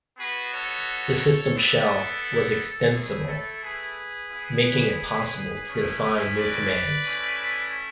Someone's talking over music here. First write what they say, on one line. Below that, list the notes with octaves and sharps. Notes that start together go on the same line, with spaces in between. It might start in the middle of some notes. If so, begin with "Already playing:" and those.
The system shell was extensible, making it possible to define new commands.
B3 F#4 G#4 B4
A4 C#5
B3 E4 A4
A3 E4 G#4
A4
G#4 B4
B3 E4
A3 C#4 E4
B4 D5
A3 C#4 E4